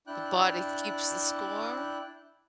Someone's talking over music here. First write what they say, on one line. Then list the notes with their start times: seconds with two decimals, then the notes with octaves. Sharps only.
The Body Keeps the Score?
0.07 D4 E4 G5 F#6